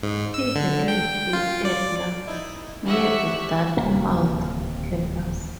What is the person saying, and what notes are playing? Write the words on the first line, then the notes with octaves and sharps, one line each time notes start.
He had lived in Etna, near the Dartmouth Campus.
G#2
E6
D3
G5
F4
D5
D#4 E4
E3 G3 E5 F#5 C#6
D1 D#2 C3 A#3